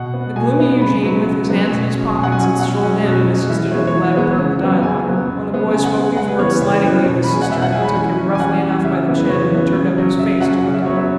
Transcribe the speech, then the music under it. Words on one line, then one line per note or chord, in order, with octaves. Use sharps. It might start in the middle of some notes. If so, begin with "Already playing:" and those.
The gloomy Eugene, with his hands in his pockets, had strolled in and assisted at the latter part of the dialogue; when the boy spoke these words slightingly of his sister, he took him roughly enough by the chin, and turned up his face to look at it.
Already playing: B2 F#5
B3
B2 G#5
B3
C#3 B5
F#3 B3
C#3
F#3 B3
B2
F#3 C#4
B2 G#5
F#5
G#5
F#3 C#4
B2 F#5
F#3 C#4
B2
F#3 C#4
E3 E5
G#3 B3 C#5
E5
C#5
E3
G#3 B3
C#3
F#3 B3
C#3 G#5
F#3 B3
C#3
G#3 B3
C#3 G#5
F#5
G#3 B3 G#5
C#3 F#5
B4
E3 B3 C#5
C#3 C#5
E3 B3
B2
B5
G#3 C#4 G#5
F#5
B2 E5
F#5
G#3 C#4 G#5
B5
E3 G#5
C#4
G#5
E3 F#5
C#4
C#3 E5
E3 B3
B4
C#3 C#5
E3 B3
C#3
F#3 C#4
C#3 E5
F#3 C#4 F#5
C#3 F#5
E5
F#3 B3 C#5
E5